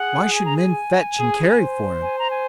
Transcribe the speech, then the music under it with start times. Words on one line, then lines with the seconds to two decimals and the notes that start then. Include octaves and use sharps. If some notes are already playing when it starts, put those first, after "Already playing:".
Why should men fetch and carry for him?
Already playing: G#4 F#5
0.35 G#5
0.45 A#5
0.57 G#5
1.19 G#4
1.60 C5
2.02 G#5
2.19 A#5
2.31 G#5